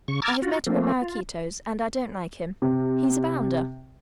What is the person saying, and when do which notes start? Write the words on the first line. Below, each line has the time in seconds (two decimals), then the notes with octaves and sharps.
I have met him at Maraquito's, and I don't like him. He's a bounder.
0.08 C#3 C#6
0.22 A#5 D6 E6 F6 G#6 A6
0.42 F4 F#4
0.67 F3 A3 A#3 C4
1.02 F4
2.62 C3